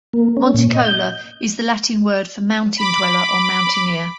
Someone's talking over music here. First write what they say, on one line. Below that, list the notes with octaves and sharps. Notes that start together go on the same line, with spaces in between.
"Monticola" is the Latin word for mountain-dweller or mountaineer.
A#3
C#4
A#2
D#5
G6
B5 D6